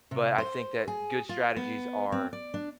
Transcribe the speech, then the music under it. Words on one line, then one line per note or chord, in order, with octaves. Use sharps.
but I think that good strategies are,
C3
C5
G#4
F4
B3
C4
D5
D4